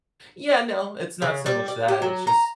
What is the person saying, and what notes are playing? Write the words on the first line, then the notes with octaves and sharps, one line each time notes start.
Yeah, no. It's not so much that. It's just
C#3
G3
D5
G4
F#3
A#5